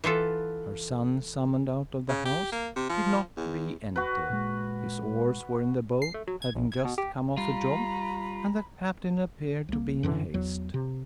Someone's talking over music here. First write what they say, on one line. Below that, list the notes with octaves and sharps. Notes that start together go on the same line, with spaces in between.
Her son, summoned out of the house, did not re-enter; his oars were in the boat, having just come off a job; and the Captain appeared to be in haste.
E3 B3 F4 A4
C#3
G4
A#3
C3
F3
E2
F#4 B4
A#2 G#3
C7
A3
F#3
G#6
A#1
G#6
B2
G4
G3 F4 A#5 B5
C2 A#3
F#2 D3 E3
E2 F#3
C3